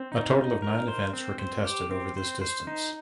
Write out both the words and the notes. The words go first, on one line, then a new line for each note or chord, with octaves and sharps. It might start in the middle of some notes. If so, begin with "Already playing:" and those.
A total of nine events were contested over this distance.
Already playing: C4
D#4
D#4
A#4
C5
C4
C5
G4
C4
C5
C5
D#4